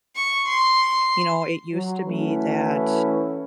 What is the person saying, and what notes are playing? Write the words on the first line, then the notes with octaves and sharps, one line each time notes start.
You know, it used to be that,
C#6
C6
F#3
E3 A3 C#4 E4 F#4 B4